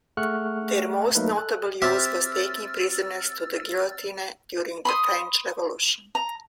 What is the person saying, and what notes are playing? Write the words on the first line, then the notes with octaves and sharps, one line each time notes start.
Their most notable use was taking prisoners to the guillotine during the French Revolution.
A3 G#4 F#5 C#6 F6 F#6
F#3 A3 A#3 D#4 A#4 B4
A4 F#6
C4 G4 E5 E6 F6 A6
B5 C6 D#6
A#5